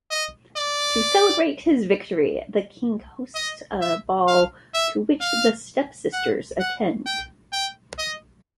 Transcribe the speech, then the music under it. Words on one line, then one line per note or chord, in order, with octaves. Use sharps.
To celebrate his victory, the king hosts a ball to which the stepsisters attend.
D#5
D5
D#5
E5
F5
E5
F5
F#5
F#5
G5
G5
D#5